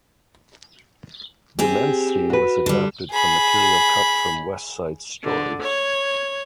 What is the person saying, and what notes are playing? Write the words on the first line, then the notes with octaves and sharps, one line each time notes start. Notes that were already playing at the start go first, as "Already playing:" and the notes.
The men's theme was adapted from material cut from "West Side Story".
C4 G4 G#4
F#4 B4
D3 G3
G#4 B5
D3
C#5